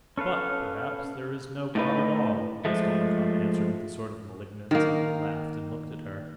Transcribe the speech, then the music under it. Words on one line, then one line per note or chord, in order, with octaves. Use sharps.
"But, perhaps, there is no God at all," Raskolnikov answered with a sort of malignance, laughed and looked at her.
C#4 A4 B4 F5
A2 D#4 B4
F3 G#3 A3
D#3 A#3